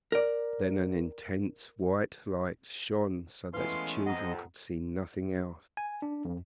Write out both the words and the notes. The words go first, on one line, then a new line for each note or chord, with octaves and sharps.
Then an intense white light shone so that the children could see nothing else.
A#4 D5
E3 G#3 A3 B3 C#4 B4 F5 C6
F2 D#5 F#5 A#5 D#6
G#5
D4
F2